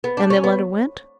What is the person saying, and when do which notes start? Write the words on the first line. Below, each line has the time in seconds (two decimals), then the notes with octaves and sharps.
And the letter went?'
0.04 B3
0.17 D4
0.30 C#4
0.44 B3